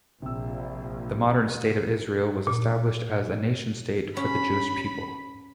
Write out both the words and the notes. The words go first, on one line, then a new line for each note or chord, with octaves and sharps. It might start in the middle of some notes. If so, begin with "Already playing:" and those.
The modern State of Israel was established as a nation-state for the Jewish people.
A#1 C3 E6
A#2
C#4 B5